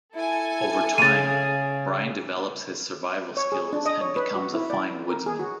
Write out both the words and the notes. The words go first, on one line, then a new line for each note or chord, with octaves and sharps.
Over time, Brian develops his survival skills and becomes a fine woodsman.
E4 A4 G#5
C#3 G#4 F5 A6 D#7
C#5
G#4
D4
D#5
C#5
B4
F#4
E4
D5
A#4
G#4
F#4